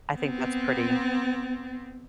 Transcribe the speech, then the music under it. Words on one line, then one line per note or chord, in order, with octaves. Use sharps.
I think that's pretty.
B3 C4